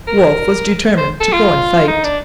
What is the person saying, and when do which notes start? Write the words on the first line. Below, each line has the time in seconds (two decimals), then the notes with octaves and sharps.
Wolfe was determined to go and fight.
0.07 A#4
0.98 C5
1.20 A4
1.33 F4
1.88 D#4
2.04 D4